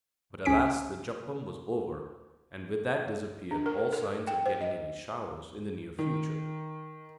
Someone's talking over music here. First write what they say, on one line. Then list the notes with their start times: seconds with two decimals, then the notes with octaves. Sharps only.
But, alas, the japam was over, and with that disappeared all signs of getting any showers in the near future.
0.45 C#2 C#4 G#5 B6 D7
3.51 D4
3.66 A#4
3.93 A4
4.27 G5
4.46 C5
4.61 D#5
5.99 D#3